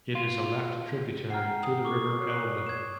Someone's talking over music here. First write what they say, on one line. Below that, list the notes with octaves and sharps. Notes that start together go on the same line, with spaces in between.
It is a left tributary to the river Elbe.
F4
F#5 G5 A#5 F6 C7
D#6
A4 C#6 D6
C#5 F#6 C7
G#6 E7